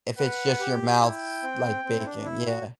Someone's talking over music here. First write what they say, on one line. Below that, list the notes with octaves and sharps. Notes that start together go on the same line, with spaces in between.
if it's just your mouths, like bacon, yeah,
B4 F#5
G4
E4 G5
C4
C4
E4
D4
E4
F#4